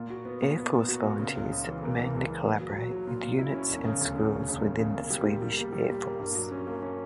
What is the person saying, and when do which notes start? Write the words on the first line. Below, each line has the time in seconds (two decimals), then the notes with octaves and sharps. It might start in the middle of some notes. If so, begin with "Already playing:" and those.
Air Force Volunteers mainly collaborate with units and schools within the Swedish Air Force.
Already playing: A#2
0.10 F#4
0.25 B3
0.42 A#2
0.57 B3
0.73 A#2
0.88 F#4
1.04 A#2
1.19 C#3
1.35 C#2
1.51 C#3
1.66 E3
1.82 A#3
1.97 E3
2.13 C#2
2.29 E3
2.44 A#2
2.60 F#3
2.76 F#3
2.91 F#3
3.07 A#2
3.23 A#2
3.38 E4
3.54 C#4
3.70 E1
3.85 C#3
4.01 D2
4.17 C#3
4.32 E1
4.48 E1
4.63 E1
4.79 C#3
4.95 A#3
5.10 G3
5.26 A#2
5.42 G3
5.57 A#3
5.73 G3
5.89 A#2
6.05 A#3
6.20 G2
6.35 F#3
6.51 C#4
6.67 A#3
6.83 C#4